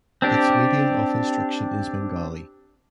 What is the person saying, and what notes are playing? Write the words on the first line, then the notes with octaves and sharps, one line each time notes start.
Its medium of instruction is Bengali.
C4 D4 G4